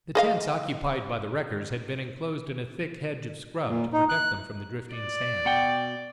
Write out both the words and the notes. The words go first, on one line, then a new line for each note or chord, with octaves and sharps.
The tents occupied by the wreckers had been enclosed in a thick hedge of scrub to protect them from the drifting sand.
G#4 D#5 F5
A#2
D#4
F#6
D5
B2 F#5 G5